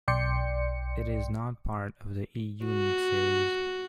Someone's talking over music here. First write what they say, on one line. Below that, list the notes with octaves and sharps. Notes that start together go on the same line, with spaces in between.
It is not part of the E-unit series.
B1 D5 G5 C6 C#7
F#4